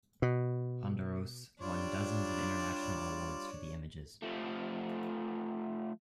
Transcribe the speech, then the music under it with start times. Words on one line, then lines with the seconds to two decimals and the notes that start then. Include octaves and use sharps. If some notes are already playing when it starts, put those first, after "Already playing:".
Hondros won dozens of international awards for the images.
0.22 B2
1.61 G3 D4 F4 C#5 D5
4.22 F3 A3